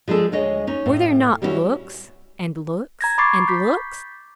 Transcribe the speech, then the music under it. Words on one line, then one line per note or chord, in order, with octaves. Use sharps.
Were there not looks, and looks, and looks?
F3 G#3 D4 G#4 A4
D2 G#3 C#5 D#5
C#4 D#4
A2
G3 G#3 B3 C#4 E4 F#4
A#5 G#6 A#6
B5 C#6 D6 A6 C7
G6 B6